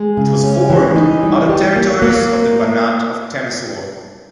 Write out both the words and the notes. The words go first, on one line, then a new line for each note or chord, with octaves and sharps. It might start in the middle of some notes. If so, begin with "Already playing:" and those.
It was formed out of territories of the Banat of Temeswar.
Already playing: G#3
C#3
C#4
E3
D#4
G3
G4
A#3
A#3